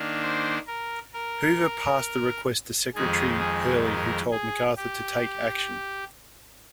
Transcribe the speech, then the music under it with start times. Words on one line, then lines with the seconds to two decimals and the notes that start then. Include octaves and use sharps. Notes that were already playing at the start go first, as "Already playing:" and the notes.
Hoover passed the request to Secretary Hurley who told MacArthur to take action.
Already playing: D#3 A#3 D4
0.23 C5
0.67 A#4
1.14 A#4
2.95 F2 D#3 G#3 G#4
3.40 G#4
3.86 A#4
4.31 G#4
4.77 G4